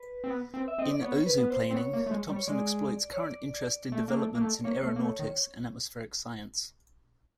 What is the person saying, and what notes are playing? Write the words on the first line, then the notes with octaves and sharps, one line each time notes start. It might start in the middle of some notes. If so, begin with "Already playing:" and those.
In "Ozoplaning", Thompson exploits current interest in developments in aeronautics and atmospheric science.
Already playing: B4
C4
B3
C4
E5
C4 D#5
D5
B3 C#5
B4
B3
C5
C4 C5
B3 C#5
A#3
A3
G#3
G3
C#5
G#3 D5
C#5
D5
A3
A#3
A3
A#3
A3
A#3 C#5
A3
A#3
A3
D#3